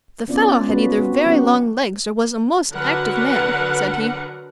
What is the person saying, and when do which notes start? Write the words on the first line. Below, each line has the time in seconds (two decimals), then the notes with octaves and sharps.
"The fellow had either very long legs or was a most active man," said he.
0.28 B3 C#4 D4 F4 D5
0.69 B3 C#4 F#4 B4
0.98 C4 F#4
1.26 F#3 A#3 B3 C#4 G4 F#5
2.72 D3 F#3 D4 A#4 B4 F#5